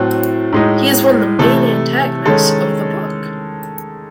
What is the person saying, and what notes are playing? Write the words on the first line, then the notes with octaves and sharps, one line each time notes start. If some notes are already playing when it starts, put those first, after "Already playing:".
He is one of the main antagonists of the book.
Already playing: A2 F#3 A3 C4 F#4
A2 G#3 D#4
C3 E3 A3 A4
D#3 G#3 C#4 A4